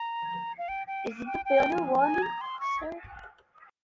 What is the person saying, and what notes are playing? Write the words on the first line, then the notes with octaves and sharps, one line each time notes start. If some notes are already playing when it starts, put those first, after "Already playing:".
Is it the bill you're wanting, sir?
Already playing: A#5
F5
G5
G5
G5
G5
G#5
G#5
A#5
C6
C#6